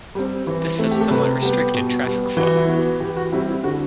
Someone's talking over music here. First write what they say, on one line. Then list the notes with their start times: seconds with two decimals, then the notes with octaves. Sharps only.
This has somewhat restricted traffic flow.
0.15 G3 C4
0.47 E3
0.79 A3 C4
0.91 G4
1.01 A4
1.10 C3 B4
1.42 G3 B3 G4
1.74 B2
2.06 G3 B3
2.37 E3 F#4
2.57 E4
2.69 B3 F#4
3.00 E3 G4
3.17 F#4
3.32 G3 C4 E4
3.48 E4
3.64 D3 F#4